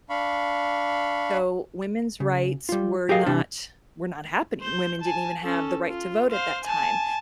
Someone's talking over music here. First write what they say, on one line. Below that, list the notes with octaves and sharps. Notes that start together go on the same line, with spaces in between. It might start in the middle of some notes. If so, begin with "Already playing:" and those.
so women's rights were not were not happening, women didn't even have the right to vote at that time.
D4 F5 B5 C#6
C#3
G3 F4
F#3 G4 G#4 A#4 D#5 F5
C3 E3 G3 D4
C5 G6
G#5 A5
C#4 A4
F4
C5 F5
G#5 A5